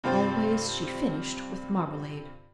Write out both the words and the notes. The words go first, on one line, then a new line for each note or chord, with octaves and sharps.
Always she finished with marmalade.
G2 C3 F4 C5 G5 A6